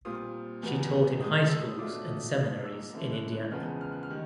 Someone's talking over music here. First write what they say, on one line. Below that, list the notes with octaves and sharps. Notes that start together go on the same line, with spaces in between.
She taught in high schools and seminaries in Indiana.
A#2 G3 C4 F4 D#6
E2 B2 G3 B3
A2 F3 G#3 D#6
E6
D#6
B2 F#3 A3 D4 F4 D6
D#6
G#2 F3 A#3 D#6
E6
D3 F3 A#3 C#4 E4
F#6
F#6
E2 C#3 F3 G#3 B3 F6
F6
F#6
F6
D#3 G3